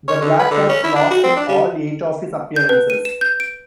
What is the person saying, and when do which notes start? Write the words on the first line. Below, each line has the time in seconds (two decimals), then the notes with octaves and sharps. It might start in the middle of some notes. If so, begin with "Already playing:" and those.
The Black Cats lost in all eight of his appearances.
0.08 C#5
0.21 D3
0.39 B4
0.51 D3
0.69 C#4
0.84 E4
0.96 D4
1.10 F#4
1.24 C4
1.36 D4
1.48 G3
2.56 G6
2.69 B4
2.90 D#7
3.05 E7
3.21 G6
3.40 D7